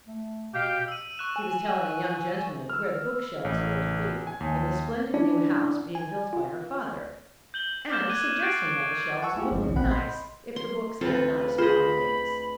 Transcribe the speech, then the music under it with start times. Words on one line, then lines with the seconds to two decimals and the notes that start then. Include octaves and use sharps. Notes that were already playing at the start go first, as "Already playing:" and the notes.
She was telling a young gentleman where the book-shelves were to be in the splendid new house being built by her father, and suggesting that the shelves would look nice if the books had nice bindings.
0.08 A3
0.54 B2 G4 F5 G6
0.88 E6 D#7
1.18 C#6 F#6 E7
1.36 G#5
2.03 G#5
2.70 E6 F6
3.45 A1
4.27 G#5
4.40 D#2
5.14 C#4 D4 E4 D5
5.95 G#5
6.33 F4
7.54 G6 F#7 G7
7.90 D6 F6 G6 E7
8.10 F#6 G#6 D#7
8.40 C#6 F#6 G6 A6 C7 D7
9.22 F#5 G#5 A5 C#6 E6
9.36 A3 E4 F4 G4 G#4
9.51 G1 F3 G#3 C4
9.64 C2 D#3 C#4 E4
9.75 A1 B2 C4 F#5 B5 F#6
9.91 D#5 B5 C6 G6
10.56 C6
11.01 D2 C4 F4 A4 B4
11.58 F4 G#4 C5 D#5 B5